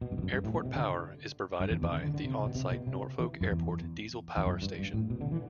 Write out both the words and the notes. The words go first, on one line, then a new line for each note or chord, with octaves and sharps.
Airport power is provided by the onsite Norfolk Airport Diesel Power Station.
B2
G2
E2
F#2
G2
A2
B2
C3
D3
G2
E2
E2
D3
D3
D3
C3
B2
C3
B2
C3
E3
F#2
E2
E2
F#2
G2
G2
A2
B2
D3
E3